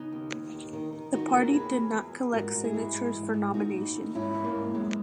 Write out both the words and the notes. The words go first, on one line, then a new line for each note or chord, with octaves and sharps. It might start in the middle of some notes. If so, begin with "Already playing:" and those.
The party did not collect signatures for nomination.
Already playing: C#3 B3 D#4
D#2
D#2
D#2
D#3
D#3
D#3 D#4 F#4
D#2 F#4 A#4
D#2 G#4 B4
E2
E2
E2
G#2 F#4 A#4
G#2
E4 G#4
E3
G#2
G#2
G#2
D#2 D#4 F#4
E3
D#2
G#2 C#4 E4
E3
A#3 C#4
G#2
F#2 G#3 B3